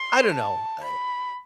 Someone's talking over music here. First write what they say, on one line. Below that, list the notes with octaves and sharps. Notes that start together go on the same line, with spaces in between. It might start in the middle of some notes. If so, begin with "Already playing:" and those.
I don't know, eh,
Already playing: C6
A5
B5